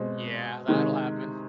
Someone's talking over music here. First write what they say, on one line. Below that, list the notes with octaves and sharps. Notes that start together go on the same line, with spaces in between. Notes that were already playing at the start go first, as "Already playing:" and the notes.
Yeah, that'll happen.
Already playing: B2 G#3 C4
C3 D#3 G#3